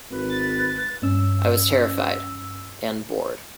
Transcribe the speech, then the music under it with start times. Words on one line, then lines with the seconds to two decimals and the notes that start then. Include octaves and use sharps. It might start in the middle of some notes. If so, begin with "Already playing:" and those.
I was terrified -- and bored.
0.10 G#1 B4
0.30 A6
1.02 G2 C#4 E6